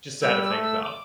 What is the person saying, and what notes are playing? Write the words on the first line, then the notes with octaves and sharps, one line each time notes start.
just sad to think about.
G3 E6
E6
A3
E6
D6